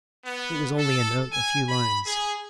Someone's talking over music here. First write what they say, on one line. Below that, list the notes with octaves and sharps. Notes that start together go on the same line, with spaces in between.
It was only a note, a few lines.
B3
A4
G#5
B5
G#4